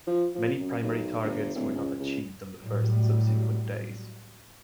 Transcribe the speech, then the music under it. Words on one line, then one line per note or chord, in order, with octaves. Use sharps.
Many primary targets were not achieved on the first and subsequent days.
F3
F3
F#2
B1
G1
D1
C#2
C#2
A2 F#3 G3